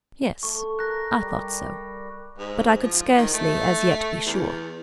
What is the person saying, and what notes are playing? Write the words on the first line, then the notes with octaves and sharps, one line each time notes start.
Yes, I thought so; but I could scarcely as yet be sure.
A3 C#6
A#4 F#6 A#6
G3
G#2
F3
D#3
A3
E2